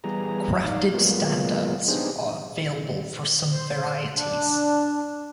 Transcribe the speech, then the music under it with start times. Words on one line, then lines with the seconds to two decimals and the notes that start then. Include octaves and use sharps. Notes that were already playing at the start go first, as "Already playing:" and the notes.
Grafted standards are available for some varieties.
0.04 E3 G3 B3 G#4 A#5
0.64 D#4 D5 F5
0.94 F#3 G#3 A#3 B3 F4
1.88 B3 D4 D#4 G4 G#4 C5
3.52 C5
4.16 D4